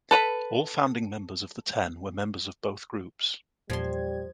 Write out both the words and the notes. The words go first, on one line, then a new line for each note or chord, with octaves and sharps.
All founding members of The Ten were members of both groups.
A4 B4 A#5 B5
E2 A#2 F3 G3 C6 G#6